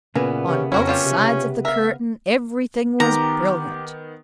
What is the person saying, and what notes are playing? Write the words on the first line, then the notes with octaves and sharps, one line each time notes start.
On both sides of the curtain everything was brilliant.
A#2 C#3 E3 A#3 B3
C3 C#4
F2 C#4 E4 F#4 A#4
F#3 F4 G4
C3
A#4 E5 F5
D#3 B3 G4 A#5